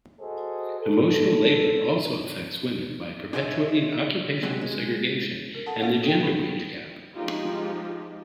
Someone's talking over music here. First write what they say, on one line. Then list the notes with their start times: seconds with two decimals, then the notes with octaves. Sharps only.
Emotional labor also affects women by perpetuating occupational segregation and the gender wage gap.
0.20 F#4 G#4 A4 C5 D#5
0.80 A4
3.33 D4 G#4 C5 C#5 D#5 E5
4.43 C3 F#3 G#3 C4
4.61 G#3
5.55 A#4
5.66 A4 F#5 A5
5.81 A#3 B3 C#4 F#4 F5 F#5
6.03 A4 G5
6.23 D#3 G4 A4
7.14 F3 G#3 D#4 F4 G4